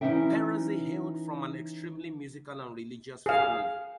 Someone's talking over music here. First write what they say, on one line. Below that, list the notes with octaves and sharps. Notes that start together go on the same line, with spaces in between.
Perosi hailed from an extremely musical and religious family.
E3 A3 C#4 D#4 E5 G5
G#4 F5